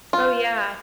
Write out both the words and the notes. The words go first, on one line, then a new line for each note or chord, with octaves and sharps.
Oh, yeah.
F4